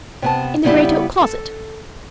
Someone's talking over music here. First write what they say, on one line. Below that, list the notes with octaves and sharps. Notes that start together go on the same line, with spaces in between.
"In the great oak closet."
C3 B3 A5
C#3 G3 B3 E4 G4
A4